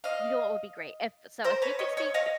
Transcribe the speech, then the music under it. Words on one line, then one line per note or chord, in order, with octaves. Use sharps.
you know what would be great? If so if you could speak
D#5 F5
A#4 C5
B4 C#5
C#5 D#5
C#5 D#5
D#5 F5